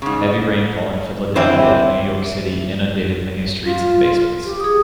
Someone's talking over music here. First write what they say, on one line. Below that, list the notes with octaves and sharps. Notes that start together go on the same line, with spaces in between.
Heavy rainfall in Philadelphia and New York City inundated many streets and basements.
G#2 C#3
D3 E3 C4 E4 C5
F4
G4
G#4 D#6